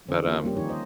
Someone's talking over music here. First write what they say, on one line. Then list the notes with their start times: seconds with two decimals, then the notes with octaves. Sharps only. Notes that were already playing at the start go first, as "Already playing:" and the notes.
but, um,
0.08 D3 C4 C#4
0.27 A#3 F4
0.44 G3 A#3 C#4 G4
0.57 D#3 F3 D#4 G4 C#5
0.69 C5 D#5